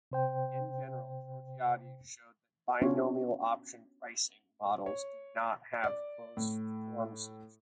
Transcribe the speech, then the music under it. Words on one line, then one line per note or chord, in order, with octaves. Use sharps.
In general, Georgiadis showed that binomial options pricing models do not have closed-form solutions.
C3 C5 G5
B3 C#4 D4 F4 F#4 C#5
C#5
D5
A2